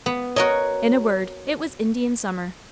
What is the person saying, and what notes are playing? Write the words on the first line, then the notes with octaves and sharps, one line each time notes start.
In a word, it was Indian summer.
B3
F#4 A#4 C#5 D#5